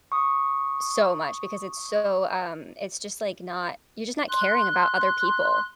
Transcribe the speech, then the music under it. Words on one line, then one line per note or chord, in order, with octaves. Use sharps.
so much because it's so, um it's just like not you're just not caring about other people.
C#6 D#6
C6 F#6